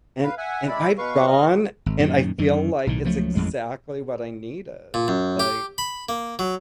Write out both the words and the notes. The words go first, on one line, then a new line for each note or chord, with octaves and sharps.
and and I've gone, and I feel, like, it's exactly what I needed, like,
B4 F5
E5 F#5 G#5
G#3 E4 D5 B5
B2 B4 F5 C#6
D#5 F6
G#1
F#2 A#2 D#3
F#2 D#3
B1 A2 D#3
C#2 F3 F#3 A3
A1 F2 G#3
A#2
F#2
G4
B5
A#3
F#3